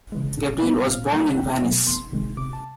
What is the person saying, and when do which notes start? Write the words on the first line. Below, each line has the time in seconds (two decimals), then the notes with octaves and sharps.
Gabrieli was born in Venice.
0.12 C#3 E3 G#3
0.38 A#2
0.63 G3 B3
0.87 A#2 F5
1.12 G3 A#3
1.29 F#5
1.37 E2 G5
1.63 B2 F#3 A3
1.87 E2 C6
2.12 C3 D#3 G#3
2.37 C3 D6
2.53 A5